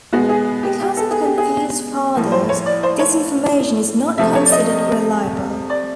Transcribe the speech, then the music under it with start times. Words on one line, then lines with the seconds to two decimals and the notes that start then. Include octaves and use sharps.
Because of confused fathers, this information is not considered reliable.
0.13 B2 G#3 B3 F#4
0.29 G#4
0.63 G4
0.80 G4
0.97 A4
1.11 G#4
1.25 G4
1.38 G#4
2.15 A2 F3 A#3
2.32 C5
2.49 C#5
2.66 D5
2.83 C5
2.99 C#5
4.18 C3 F3 A3 E5
4.35 C#5
4.46 D5
4.52 D#5
5.70 D5